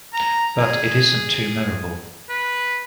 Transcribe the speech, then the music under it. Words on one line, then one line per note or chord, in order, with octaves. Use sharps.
But it isn't too memorable.
A#5
G#4
B4